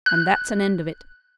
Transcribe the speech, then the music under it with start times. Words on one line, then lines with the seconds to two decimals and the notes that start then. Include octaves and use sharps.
And that's an end of it.
0.06 F#6